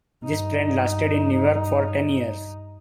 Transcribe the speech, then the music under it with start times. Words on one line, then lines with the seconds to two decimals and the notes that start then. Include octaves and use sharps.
This trend lasted in New York for ten years.
0.23 G2 D#4